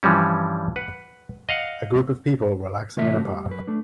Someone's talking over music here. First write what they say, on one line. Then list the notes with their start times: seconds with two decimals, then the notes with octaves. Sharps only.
A group of people relaxing in a park.
0.03 G2 E3 F3 G3 C#4
0.76 B4 F#5
1.49 D#5 F5 F#5
2.97 A2 C3 E3 F4 D#5 E5
3.13 C#3 A3 A#3 F#4
3.25 G3
3.48 F#2 B4
3.67 A3 D4